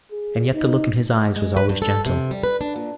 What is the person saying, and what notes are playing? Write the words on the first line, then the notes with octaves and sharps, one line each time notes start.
And yet the look in his eyes was always gentle.
G#4
D#4
G#3
B4
G2
A4
C3
G3
B4
D4
A#2